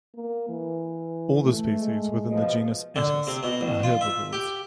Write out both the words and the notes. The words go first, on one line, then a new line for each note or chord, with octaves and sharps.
All the species within the genus Atys are herbivores.
A#3
E3
A3
G#3
B2 F3 D#5
D3
C3
B2
A1
F4
E5
G4